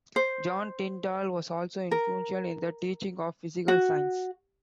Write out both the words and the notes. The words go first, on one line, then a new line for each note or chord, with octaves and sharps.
John Tyndall was also influential in the teaching of physical science.
C5
A#4
F#4